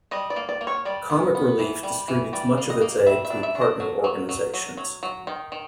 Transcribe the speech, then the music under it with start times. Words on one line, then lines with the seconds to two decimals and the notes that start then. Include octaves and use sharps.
Comic Relief distributes much of its aid through partner organisations.
0.11 G3 D#5
0.30 D5
0.36 A#3
0.49 D5
0.61 A#3
0.67 C#5
0.85 G3 D5
1.10 B3
1.35 B3
1.59 E3
1.83 G3
2.08 E3
2.33 G3 D5
2.57 A#3
2.70 D#5
2.81 A#3
3.06 G3 E5
3.25 E5
3.30 D4
3.43 E5
3.55 D4
3.61 D#5
3.80 F#3
4.04 F#3
4.29 F#3
4.54 F#3
4.77 F#3
5.03 F#3
5.27 D#3
5.52 D#3